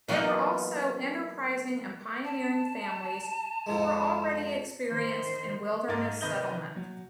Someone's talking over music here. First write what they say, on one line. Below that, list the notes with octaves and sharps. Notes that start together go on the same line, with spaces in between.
They were also enterprising and pioneering families who were already experienced in wilderness settlement.
E3 F#3 A#3 B3 D#4 A4
A5
F2 G#2 G#3
D#3 C5
G#2 A4 A#4 D#5 D6 A6
C3 D#3 B4 D#5 G6 G7
F#3